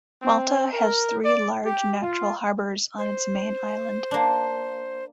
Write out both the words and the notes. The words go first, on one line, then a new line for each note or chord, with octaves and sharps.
Malta has three large natural harbours on its main island.
C4
A#4
D5
G4
F4
C5
A#3 D4